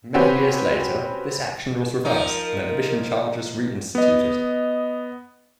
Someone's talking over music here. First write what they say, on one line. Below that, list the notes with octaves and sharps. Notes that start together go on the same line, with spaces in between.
Many years later, this action was reversed and admission charges re-instituted.
C4 C#4 F#4 G4 B4
F3 D#4 A#4
B3 D#5